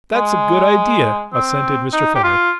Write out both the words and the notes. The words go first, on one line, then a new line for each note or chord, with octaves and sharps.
"That's a good idea," assented Mr. Fenwick.
G#3
C4
D#4
G4
F4